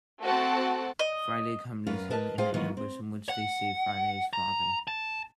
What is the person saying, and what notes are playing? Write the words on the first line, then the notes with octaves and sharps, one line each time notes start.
Friday accompanies him in an ambush in which they save Friday's father.
A3 C4 F#4 A4 F#5 A5
D#5
F#2 F4 A#4 B4
A#4 B4 D#5 A5
F4 G#4 C5 D#5 F5 G5
D#3 E3 F#3 B3 F4
C4
F#5
A#5
A5